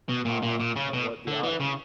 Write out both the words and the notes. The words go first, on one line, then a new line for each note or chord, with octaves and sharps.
Ah! and what the autumn?
B2
A#2
A#2
A#2
C#3
B2
D3
E3
C#3